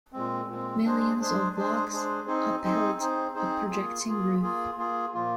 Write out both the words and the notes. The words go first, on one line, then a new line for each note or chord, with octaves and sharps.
Millions of logs upheld a projecting roof.
A#2 G#3 C4
A#2 G#3 C4
G#3 D4 G#4 C5
G#3 D4 G#4 C5
G#3 D4 G#4 C5
G#3 D4 G#4 C5
C4 D#4 G#4 C5
C4 D#4 G#4 C5
C4 D#4 G#4 C5
C4 D#4 G#4 C5
A#3 F4 G#4
A#3 F4 G#4
A#3 F4 G#4
A#3 F4 G#4
A#2 F3 A#3 F4